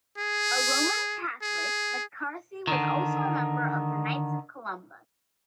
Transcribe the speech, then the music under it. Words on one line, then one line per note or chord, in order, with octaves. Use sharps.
A Roman Catholic, MacCarthy was also a member of the Knights of Columbus.
G#4
G#4
D3 D#3